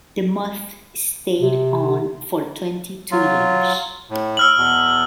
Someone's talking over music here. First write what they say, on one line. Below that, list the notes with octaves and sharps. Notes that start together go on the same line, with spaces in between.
DeMuth stayed on for twenty-two years.
C3
F#3 F4
A2
E6 F6 F#7
E2 B2